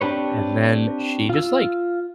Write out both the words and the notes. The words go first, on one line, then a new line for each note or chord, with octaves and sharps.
and then she just, like,
C4 D4 G4 B4 C#5
F4 E6